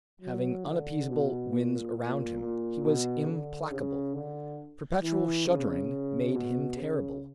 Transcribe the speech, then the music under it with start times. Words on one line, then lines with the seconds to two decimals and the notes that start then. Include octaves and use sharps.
Having unappeasable winds around him, he was implacable. Perpetual shuddering made him terrible.
0.21 F#3
0.64 D3
1.09 B2
1.52 A#2
1.95 A#2
2.39 A#2
2.83 B2
3.26 D3
3.71 C#3
4.14 D3
5.02 E3
5.45 C#3
6.33 B2
6.76 C#3